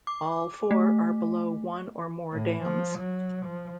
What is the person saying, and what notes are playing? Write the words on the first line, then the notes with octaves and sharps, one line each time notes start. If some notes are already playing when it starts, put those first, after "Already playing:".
All four are below one or more dams.
D6
A3
A2
F3
F#3
F3